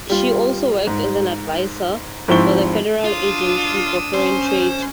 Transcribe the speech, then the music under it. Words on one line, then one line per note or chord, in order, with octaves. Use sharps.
She also worked as an advisor for the Federal Agency for Foreign Trade.
G3 F4
G#2
G#2 F3 C4 E4 C#6 G7
D4 F4 D#6 E6
C#4 C5